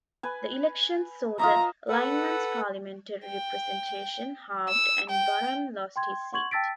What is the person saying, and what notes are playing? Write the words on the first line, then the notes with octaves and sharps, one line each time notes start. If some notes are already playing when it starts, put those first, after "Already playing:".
The elections saw the Alignment's parliamentary representation halved, and Baram lost his seat.
B4 G#5
F4 D#5 E5 A#5
A4 B4 F#5
G5
E6
G5
G5 C6 G#6
F#5 C6 C#6 G#6 F#7
G5 A5 E6 A6 B6 D7